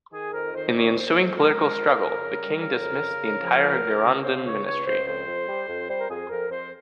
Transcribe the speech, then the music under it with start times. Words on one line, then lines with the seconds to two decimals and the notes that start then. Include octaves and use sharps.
In the ensuing political struggle, the king dismissed the entire Girondin ministry.
0.12 D#3 G#4
0.33 F2 A#4
0.53 D#3 C5
0.67 C5
0.74 F2 C#5
0.95 F2 C5
1.15 G#3
1.36 G#3 A#4
1.57 F2
1.77 F2
1.97 F2
2.18 C#3
2.39 G3
2.59 C#3 A#4
2.80 F2
3.00 C#3
3.21 C#3
3.41 F3
3.62 C#2
3.82 C#2
4.04 C#3
4.24 C#3 C5
4.44 C#2 C#5
4.65 C#2 C#5
4.85 C#2 C5
5.06 F2 C5
5.26 F2
5.47 G3
5.68 F2
5.88 G3 C5
5.99 A#4
6.08 F2 G#4
6.29 F2 A#4
6.50 F2 C5